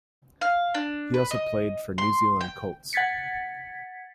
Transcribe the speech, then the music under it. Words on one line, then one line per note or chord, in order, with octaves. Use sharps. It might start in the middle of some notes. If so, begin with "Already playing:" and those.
He also played for New Zealand Colts.
F5
D4
B4
D#5
C6
G5
F#5 G#6 A6 B6 C#7